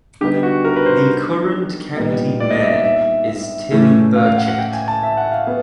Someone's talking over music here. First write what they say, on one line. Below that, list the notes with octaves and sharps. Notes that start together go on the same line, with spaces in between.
The current county mayor is Tim Burchett.
D3 G3 B3 D#4 G4
F#4
A#4
B4
C5
A#2 G3 B3 D#4
D5
D#5
E5
E5
E5
E5
A2 E3 A3 C#4
F5
F5
F#5
F#5
G5
G#5
A5
E5
F#5
F5
B3